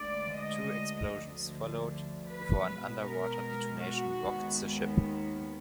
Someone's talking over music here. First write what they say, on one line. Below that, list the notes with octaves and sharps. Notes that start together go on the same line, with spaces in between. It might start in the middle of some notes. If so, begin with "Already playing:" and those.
Two explosions followed, before an underwater detonation rocked the ship.
Already playing: D2 D3 G#3 D5
D#5
D2 D3 F3
B4
B2 G#3 B3
A#4
F#4
D#2 D#3 G#3 B3